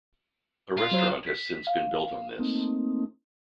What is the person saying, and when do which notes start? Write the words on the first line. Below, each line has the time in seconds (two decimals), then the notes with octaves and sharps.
A restaurant has since been built on this.
0.77 F4
0.91 F#3 C5
1.26 B6
1.67 F5
2.39 A3 A#3 C4 D#4